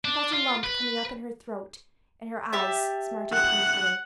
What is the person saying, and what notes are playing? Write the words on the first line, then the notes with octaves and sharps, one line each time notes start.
She felt a lump coming up in her throat and her eyes smarted painfully.
D4
F4
B4
G4 E5 A5
F#5 F#6